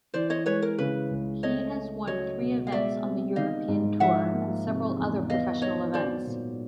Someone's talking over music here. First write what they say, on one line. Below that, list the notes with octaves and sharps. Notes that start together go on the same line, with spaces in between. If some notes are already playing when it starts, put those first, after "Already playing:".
He has won three events on the European Tour, and several other professional events.
E3 C5 D5
C#5 D#5
G#3 B4 C#5
A#4
C#3 B4
C#2
A3 C#5 D#5
C#4
F#3 C#5 D#5
B2
F5
G#3 D5 E5
C4
D#3 D#5 F5
G#2
F3 E5 F#5
A#3
C3
E2
B3 D#5 F5
D#4 C#5 D#5
F#3 C5 D5
A#2